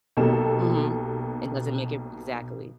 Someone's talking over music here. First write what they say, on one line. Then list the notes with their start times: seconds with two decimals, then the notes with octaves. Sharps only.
Mhm. It doesn't make it Exactly.
0.17 B1 B2 A#3 G4 A4 E7